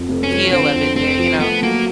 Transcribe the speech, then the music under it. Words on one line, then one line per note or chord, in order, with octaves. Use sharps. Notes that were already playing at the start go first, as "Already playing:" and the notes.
feel of it there you know?
Already playing: F2
F1
C#4
F3
D3 C4
F2
F1 C4
F3
A3 B3
F#3 A#3